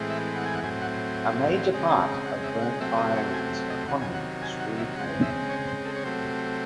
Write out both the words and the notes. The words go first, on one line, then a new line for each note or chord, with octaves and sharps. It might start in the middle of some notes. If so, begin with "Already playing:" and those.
A major part of Burntisland's economy is retailing.
Already playing: A2 E3 G#3 C4
E5
F#5
G#5
F#5
A2 F#3 C4 G#5
F#5
C#3 G#3 C4
F#5
E5
F#5
C3 F#3 A3 C4 E5
D#5
C#5
G#5
D#5
C3 D#3 F#3 F#5
G#5
F#5
G#5
F#5
E5
C#3 G#3 C4 F#5
E5
C#5
C5
A4
C#5
C3 F#3 A3 C4 C5